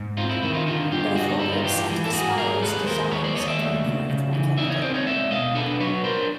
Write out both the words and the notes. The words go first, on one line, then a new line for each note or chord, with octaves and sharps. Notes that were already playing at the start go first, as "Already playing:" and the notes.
Both Roberts' and Gasparro's designs had been approved by Kennedy.
Already playing: G#2
C4 D#4 F4
E4
D#3 E4
D#4 F4
D3 D#4 F4
G2 F4 G4
G2 F#4 G#4
D#4
G3 E4
D#4 F4
E3 F4 G4
E3
A4
G#2 F#4 G#4
G#2 G#4 A#4
G#3 A4 B4
D#2 A#4 C5
D#2 B4 C#5
C5 D5
D#2 C#5 D#5
D5 E5
A3
C#3
C#3
E3
D#4 D5 E5
C#5 D#5
C4 C5 D5
C#5 D#5
G#3 D5 E5
B2 D#5 F5
D4 A4 B4
F#3 B4 C#5
D4 A#4 C5